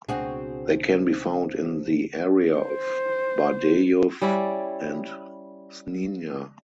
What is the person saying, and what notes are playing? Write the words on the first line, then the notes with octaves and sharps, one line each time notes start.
They can be found in the area of Bardejov and Snina.
C#2 B2 C4 D4 F#4 G#4 C5
C5
G3 C#4 E4 D5